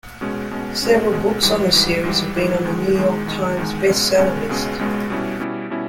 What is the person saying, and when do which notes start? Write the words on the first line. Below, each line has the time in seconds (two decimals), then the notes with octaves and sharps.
Several books on the series have been on the "New York Times" bestseller list.
0.21 B2 G#3 C#4
0.51 B2 G#3 C#4
0.82 B2 G#3 C#4
1.12 B2 G#3 C#4
1.42 G#2 E3 G3
1.73 G#2 E3 G3
2.03 G#2 E3 G3
2.34 G#2 E3 G3
2.64 E2 D#3 G#3
2.95 E2 D#3 G#3
3.26 E2 D#3 G#3
3.57 E2 D#3 G#3
3.87 C#2 B2 G#3 C#4
4.18 C#2 B2 G#3 C#4
4.49 C#2 B2 G#3 C#4
4.79 C#2 B2 G#3 C#4
5.10 B2 G3 C#4 E4
5.40 B2 G3 C#4 E4
5.70 B2 G3 C#4 E4